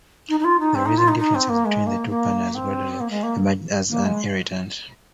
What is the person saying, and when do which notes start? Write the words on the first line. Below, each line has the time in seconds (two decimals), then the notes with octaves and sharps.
The rising differences between the two partners gradually emerged as an irritant.
0.29 D#4
0.40 D#4
0.44 F4
0.60 D#4
0.75 C4
0.86 D#4
0.98 F4
1.08 D#4
1.19 D#4
1.35 C4
1.49 A#3
1.65 G#3
1.87 A#3
2.09 A#3
2.55 C4
3.00 A#3
3.11 G#3
3.23 A#3
3.89 A#3
4.04 G#3